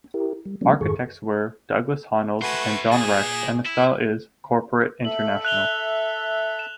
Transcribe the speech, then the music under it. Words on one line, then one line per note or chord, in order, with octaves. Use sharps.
Architects were Douglas Honnold and John Rex and the style is "Corporate International".
E4 G4 A#4
G3
F3 G3 A#3 B3 C#4 D4
F2 G#2 D#3 G#4 A4 C#6
A3 F#4 B4 C5 G#5
A#2 G#4
E4
A4 E5 F#7
F#6 F7 G7
E7